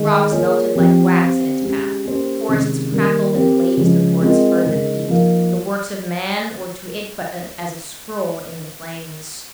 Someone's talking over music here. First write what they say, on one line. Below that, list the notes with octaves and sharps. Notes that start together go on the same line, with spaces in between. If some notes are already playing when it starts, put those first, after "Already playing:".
Rocks melted like wax in its path; forests crackled and blazed before its fervent heat; the works of man were to it but as a scroll in the flames.
Already playing: D#3 G#3 D#4
A#3 F4 G#4 C#5
F3 C4 G4
C4 G4 C5 F5
G#3 C#4 G4
A#3 C#4 G4 C5
C3 D#3 G#3 C#4
D#3 G3 A#3
C4 G4 A#4
C#3 F3 G#3
G#3 C4 F4 A#4 D#5
C#3 G#3 D#4 A#4
F3 A#3 D#4 A#4 F5